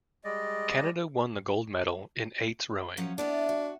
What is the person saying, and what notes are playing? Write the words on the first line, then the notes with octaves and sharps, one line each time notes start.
Canada won the gold medal in eights rowing.
G3 G#3 D5 D#5
F3 F#3 C#4
B3 D4 E4 D5
F#4